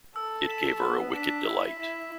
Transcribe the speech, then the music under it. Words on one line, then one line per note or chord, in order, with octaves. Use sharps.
It gave her a wicked delight.
A4 E6
B6 E7
B3 E6
D4 B6 E7
E4 E6
E4 B6 E7